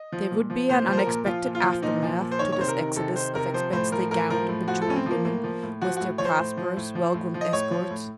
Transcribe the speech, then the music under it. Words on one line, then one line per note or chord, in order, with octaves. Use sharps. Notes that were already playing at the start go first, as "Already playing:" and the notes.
There would be an unexpected aftermath to this exodus of expensively gowned and bejewelled women with their prosperous, well-groomed escorts!
Already playing: D#5
F3
A#2
F3
A#2 C5
F3 C5
A#4
A#2
F3 F4
A#2
F4
F3
A#2 D#4
F3
A#2
C5
D#3 C#5
C#5
C3 C5
A#4
D#3
C3 A4
D#3 C5
C3 A#4
F3 C5
A2 C5
F3 A#4
A2 A#4
F3 A#4
A2
F3 F#4
A4
A2 C#4
C4
F3 A#3
A2 A#3
F3
A2
F3 F#4
A2 F#4
F3 C#5
C5
A2
F3
A2
F3
A2
F3
D#5
A2 C#5
F3
A2